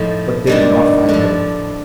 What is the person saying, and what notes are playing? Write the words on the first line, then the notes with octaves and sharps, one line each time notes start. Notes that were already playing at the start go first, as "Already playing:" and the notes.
But they did not find him.
Already playing: A2 F3 D#4
G2 D#3 G3 D4
A2 F3 D4